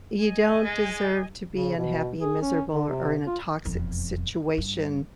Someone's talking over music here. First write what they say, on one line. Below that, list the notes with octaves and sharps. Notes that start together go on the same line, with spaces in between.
You don't deserve to be unhappy and miserable or or in a toxic situation
D#5 G#5
G#3
C#3
B2
G#4
C#4
D3
C3
F4
E1 F2
G2